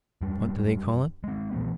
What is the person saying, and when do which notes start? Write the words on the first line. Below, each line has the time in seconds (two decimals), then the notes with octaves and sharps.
What do they call it?
0.21 F#2 G3
1.24 G#3 C4
1.51 A#2 E3 A3 B3